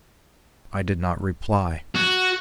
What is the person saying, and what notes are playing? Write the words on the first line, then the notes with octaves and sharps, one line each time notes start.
I did not reply.
F#4